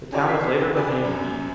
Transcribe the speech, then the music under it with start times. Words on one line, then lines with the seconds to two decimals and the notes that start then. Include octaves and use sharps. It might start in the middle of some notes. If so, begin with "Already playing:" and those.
The town was later renamed Beeton.
0.12 C#4 F4 G4 A4 C#5 D5
0.26 G#6 B6 C7
0.75 G4 D5 G#5 B5
1.05 F#2